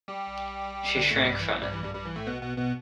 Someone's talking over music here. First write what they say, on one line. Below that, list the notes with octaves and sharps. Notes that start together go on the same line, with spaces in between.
She shrank from it.
G3 G4
D3 D4
A2 A3
G2 G3
E3
G2 G3
E3
G2 G3
G2 G3
E3
A2 A3
B2 B3
B2 B3
B2 B3